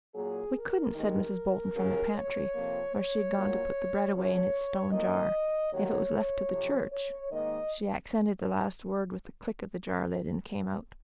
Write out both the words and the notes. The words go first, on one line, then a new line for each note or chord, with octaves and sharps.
"We couldn't," said Mrs. Bolton from the pantry, where she had gone to put the bread away in its stone jar, "if it was left to the church." She accented the last word with the click of the jar lid, and came out.
A#2 F#3 A#3 G#4
A#4
D#2 D#3 G#3
D#2 C#3 F#3 A#3 A#4
C#5
F2 C3 F3 A#3
C#5
A#2 F#3 A#3
F2 C#3 F3 C#5
F2 D#3 A#3 D#5
D#2 D#3 F#3 A#3 C#5
F2 C3 F#3
C#5
G#2 D#3 A#3 D#5